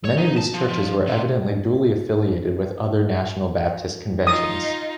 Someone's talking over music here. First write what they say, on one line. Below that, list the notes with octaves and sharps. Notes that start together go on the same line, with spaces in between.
Many of these churches were evidently dually affiliated with other National Baptist conventions.
C#5
D#4
A5
F3
F3
C3
D#4 F4 D#6